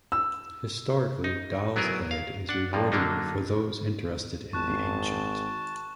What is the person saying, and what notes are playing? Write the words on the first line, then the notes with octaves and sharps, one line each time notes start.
Historically Dals-Ed is rewarding for those interested in the ancient.
E6
D#4
F#3 B3 E4 G#4 A#4
F5
D4 F#5
G2 F3 A#3
D3 F#3 A#3 D4 D#4
G#1 A5 C#6 F#6 E7